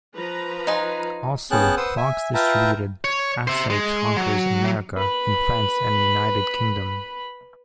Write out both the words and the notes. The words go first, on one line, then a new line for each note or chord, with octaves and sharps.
Also, Fox distributed "Asterix Conquers America" in France and United Kingdom.
F3 B4 A#5
D#4 F4 G#5
B3 C#4 G#4 G5 A5 F#6
B4 C5 F#5 D#6 E6
E5 G#5
F4 B4 E5 G5 A5 A#5
C#5
C5 E5
G#3
F#3
B4 B5